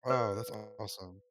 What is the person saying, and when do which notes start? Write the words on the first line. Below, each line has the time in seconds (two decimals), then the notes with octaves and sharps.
Oh, that's awesome.
0.10 B4